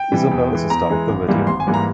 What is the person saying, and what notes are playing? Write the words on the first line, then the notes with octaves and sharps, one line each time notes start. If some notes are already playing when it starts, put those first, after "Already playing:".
Isabel is the star of the video.
Already playing: G5
C3 E3 G3
E2
E3 G#3
E2 A#5
E3 G#3
G#1
G#2 E3 G3 A#3
G#1 C6
G#5
G#2 E3 G3 A#3
A#5